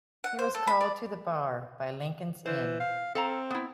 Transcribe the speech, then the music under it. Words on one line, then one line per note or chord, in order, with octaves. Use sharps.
He was called to the Bar by "Lincoln's Inn".
F#5
C5
A4
B5
D5
E3 C5
F5
C4 A4 F5 A#5
B3 E4